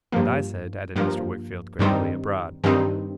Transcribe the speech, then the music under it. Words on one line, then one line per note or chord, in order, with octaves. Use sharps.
'And I said' added Mr. Wickfield gravely, 'abroad.
G2 F3 A#3
G2 F3 A#3
G2 D#3 G3 C4 D#4
G2 D#3 G3 C4 D#4